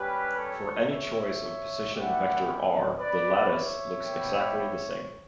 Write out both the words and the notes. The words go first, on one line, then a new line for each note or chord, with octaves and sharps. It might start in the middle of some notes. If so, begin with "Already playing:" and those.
For any choice of position vector R, the lattice looks exactly the same.
Already playing: G3 C#4 G4 B4
A4 C#5
C#5 E5
A3 E4 G4 D5 F#5
B4 D5
C#5 E5
B3 E4 G4